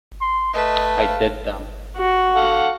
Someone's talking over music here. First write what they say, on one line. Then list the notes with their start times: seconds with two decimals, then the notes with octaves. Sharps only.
I did them.
0.21 C6
0.54 A3 B4 D#5
1.01 F5
1.97 F#4
2.35 A4 F5 F#5